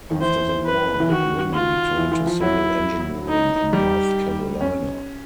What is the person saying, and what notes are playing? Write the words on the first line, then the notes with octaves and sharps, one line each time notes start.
After the war, Gwynn returned to civil engineering in North Carolina.
D#3
E3 C5
B4
E3
D#3 F#4
F4
E3
E3
F3
F#3 E4
D#4
G3 G4
C#4